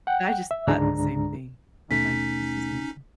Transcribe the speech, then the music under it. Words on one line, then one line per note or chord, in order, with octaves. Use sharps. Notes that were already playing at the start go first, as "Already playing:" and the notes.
But I just thought the same thing, I was like, "This is amazing."
F#5 G5
E5
C#2 G#2 D3 G#3 D4 A#5
D#2 B2 A3 C#4 D#4 B6